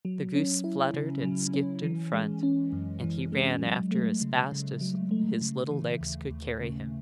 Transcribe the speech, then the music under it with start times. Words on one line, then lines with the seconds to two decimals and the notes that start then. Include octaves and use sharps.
The goose fluttered and skipped in front, and he ran after as fast as his little legs could carry him.
0.05 F#3
0.34 C#4
0.64 E4
0.94 C#3
1.23 F#3
1.53 C#4
1.83 E3
2.13 G#3
2.43 C#4
2.73 F#2
3.03 E3
3.32 G#3
3.62 F#3
3.91 A3
4.21 C#3
4.52 C#3
4.81 F#3
5.11 A3
5.41 C#3
5.71 E3
6.01 D#2
6.30 D#2
6.60 C#3